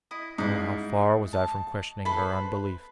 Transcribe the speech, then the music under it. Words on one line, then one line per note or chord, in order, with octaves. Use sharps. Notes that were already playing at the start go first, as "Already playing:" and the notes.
How far was I from questioning her unbelief!
E4 D#5 D#6
G#2 E4 F5
A5
A4 B4 C5 B5